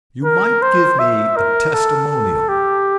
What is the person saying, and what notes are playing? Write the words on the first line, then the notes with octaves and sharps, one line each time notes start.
"You might give me a testimonial."
A#4
C5
E5
A#4
A4
G4